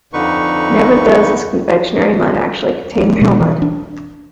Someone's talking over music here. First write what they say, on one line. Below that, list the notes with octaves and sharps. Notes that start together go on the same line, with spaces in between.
Never does this confectionery mud actually contain real mud.
F2 D3 D#4 B4 C#6
B2
E3
D4